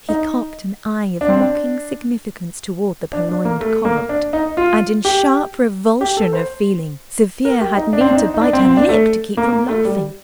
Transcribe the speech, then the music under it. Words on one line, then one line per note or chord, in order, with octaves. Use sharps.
He cocked an eye of mocking significance toward the purloined "Corot," and in sharp revulsion of feeling Sofia had need to bite her lip to keep from laughing.
D#4
D4
C4
D4
D4
D4
A#3
A3
A#3
D4
D#4
F4
G4
G4
A4
C5
A#4
G4
D#4
D4
C4
D4
D#4
D#4
D4
C4
C4
D4
A3
A#3
A#3
A3
G3